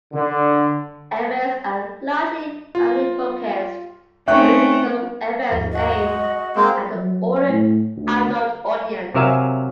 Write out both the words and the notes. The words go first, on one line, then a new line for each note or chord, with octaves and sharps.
Events are largely family-focussed, with some events aimed at an older adult audience.
D3
F4
A3 C4 C#4 D#4 E5 G5 C#6 F#6
D#2 G#2 F3
F#4 D#5
G#3
G#3 A#3 C4 C5
F#3
A2
D2
C3 F#3 A#4 E5 F5 G#5